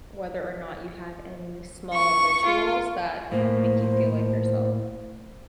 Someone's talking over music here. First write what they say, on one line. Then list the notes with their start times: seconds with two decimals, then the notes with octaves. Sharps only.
whether or not you have any small rituals that make you feel like yourself.
1.94 C#6
2.46 F4
3.32 A2 A#3 C5